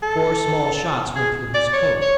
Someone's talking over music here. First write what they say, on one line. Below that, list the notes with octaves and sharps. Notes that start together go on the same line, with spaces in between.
Four small shots went through his coat.
A4
G#4
D5
C#5
C#5